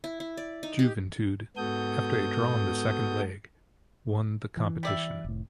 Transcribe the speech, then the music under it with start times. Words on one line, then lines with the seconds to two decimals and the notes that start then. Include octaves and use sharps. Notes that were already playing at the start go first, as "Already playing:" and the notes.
Juventude, after a draw in the second leg, won the competition.
0.04 E4
0.20 E4
0.37 D5
0.63 D#4
0.79 G4
1.57 G#2 B3 F#4 A4 D#6 G6
4.57 E3
4.83 G3 D5 E5
5.24 F1 A2